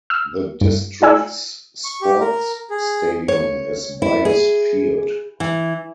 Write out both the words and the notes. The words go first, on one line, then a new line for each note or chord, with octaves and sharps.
The District's sports stadium is Byers Field.
E6 F6
G2
F4 D5 G#5 E6
C#6
G4
A#4
G#4
C#5
E4
G#4
E3